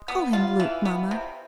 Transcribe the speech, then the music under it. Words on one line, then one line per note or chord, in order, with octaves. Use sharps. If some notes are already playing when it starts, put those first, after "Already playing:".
"Call him Luke, mamma."
Already playing: G#3
B3
F4
E3
B3
C3